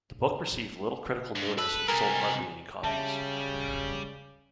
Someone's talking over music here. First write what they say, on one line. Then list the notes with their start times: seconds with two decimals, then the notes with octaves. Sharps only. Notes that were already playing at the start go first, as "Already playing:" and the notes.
The book received little critical notice and sold hardly any copies.
1.36 G2
1.58 A4 B4
1.88 C3 G3 G#4 A#4
2.84 C#3 G3 E5 A5